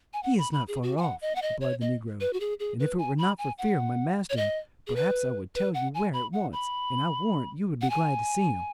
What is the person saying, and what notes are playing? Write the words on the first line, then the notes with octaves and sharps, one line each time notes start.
"He is not far off," replied the negro; "and if it were not for fear of my master, perhaps I would tell you where at once, and I warrant you would be glad to see him."
G#5
F#5
B5
B5
G#4
F#4
G#5
F#5
D#5
F#5
D#5
C#5
D#5
B4
F#4
G#4
G#4
B4
G#5
B5
G#5
F#5
C#5
D#5
G#4
B4
B4
F#5
G#5
B5
F#5
B5
F#5
G#5